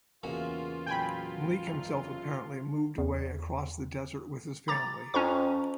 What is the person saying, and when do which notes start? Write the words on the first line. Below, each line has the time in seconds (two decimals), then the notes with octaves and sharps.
Malik himself apparently moved away across the desert with his family.
0.23 E2 C#3 A#3 F4 F#4 F5
0.86 A#2 F#3 G5 G#5 B5
1.66 F#1 F#2 F7
2.98 E2
4.68 A#5 D6 A6
5.14 F2 C#4 A#5 C#6